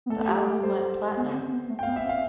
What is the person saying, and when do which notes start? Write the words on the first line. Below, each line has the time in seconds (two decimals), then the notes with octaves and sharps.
The album went platinum.
0.06 B3
0.10 A3 A4
0.28 G4
0.63 C5
1.17 B3
1.34 C4
1.52 B3
1.69 A3
1.79 G5
1.83 B3 F5
1.96 E5
2.05 C4
2.09 F5